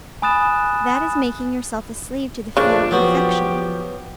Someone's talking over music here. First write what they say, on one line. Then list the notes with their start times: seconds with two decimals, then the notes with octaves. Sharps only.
'That is making yourself a slave to the fear of infection.'
0.22 G#5 B5 D#6 F#6 A6 E7
2.57 A#1 F2 C#3 D4 C#6
2.91 F3 F#3 B3 F#4 G4